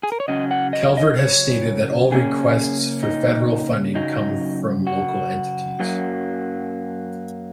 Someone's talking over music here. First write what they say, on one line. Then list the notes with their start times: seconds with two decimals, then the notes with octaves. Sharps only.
Calvert has stated that all requests for federal funding come from local entities.
0.03 G#4
0.12 A#4
0.20 C#5
0.28 C#3 F#3 C#4 D#5
0.51 F#5
0.73 D#5
0.97 D#5
1.19 C#5
2.12 C#3 A#3 C#4 G#4
3.03 D#4
3.95 F#2 C#3 F#3 D#4
4.87 F#4
5.80 F#2 F#3 A#3